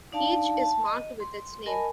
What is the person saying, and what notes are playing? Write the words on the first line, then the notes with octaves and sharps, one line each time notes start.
Each is marked with its name.
D4 D#4 D5 F5 A5
A5
D#5
C6
A#4 D#5 G#5 A5 B5